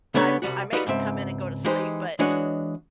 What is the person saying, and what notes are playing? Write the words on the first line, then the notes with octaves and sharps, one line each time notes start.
I m I make 'em come in and go to sleep, but,
C#3 G3 B3 D4 A4 C#5
C2 F#2 G3 F#4
G3 D#4 F4 F#4 B4
C#2 G#2 C4 E5
E3 G#3 D#4 G4 C5
E3 G#3 D4 F#4 C#5 D#5